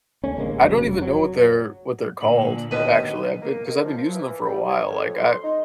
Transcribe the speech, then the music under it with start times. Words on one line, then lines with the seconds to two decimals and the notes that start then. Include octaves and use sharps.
I don't even know what they're what they're called, actually, I've been 'cause I've been using them for a while, like, I
0.24 D#2 A3 C#4
0.37 A1 D3 G#3 A#3
0.63 F1 F2 C#3 F#3
1.01 F#3
2.21 A#2 D3 F#7
2.71 D#2 B2 B4 D#7
3.42 A#3
3.66 D#3
3.85 F3
3.98 F3
4.14 E3
4.45 G3
4.69 C#5
4.90 F2
5.17 C6
5.44 D#4